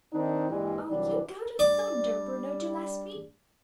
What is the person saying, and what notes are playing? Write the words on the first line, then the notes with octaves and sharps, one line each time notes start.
"Oh, you go to thunder, Bruno Gillespie!"
D#3 C4 D4 D#4
A#1 G2 E3 G3 G#3
C2 E3 F#3 G3 D4
G3 D4 D5